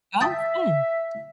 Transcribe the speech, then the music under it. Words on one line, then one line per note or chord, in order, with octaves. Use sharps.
Oh, fun.
E5 G5 A5 D#6